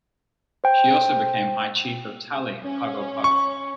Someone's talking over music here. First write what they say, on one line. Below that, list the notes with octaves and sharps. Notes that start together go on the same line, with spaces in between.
She also became High Chief of Tali in Pago Pago.
C5 G5
C#4
C#6